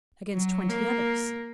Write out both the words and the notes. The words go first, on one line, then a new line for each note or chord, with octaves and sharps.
"Against twenty others."
F#3
A#3